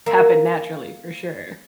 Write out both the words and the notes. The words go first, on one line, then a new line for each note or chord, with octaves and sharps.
happen naturally for sure.
A#3 E5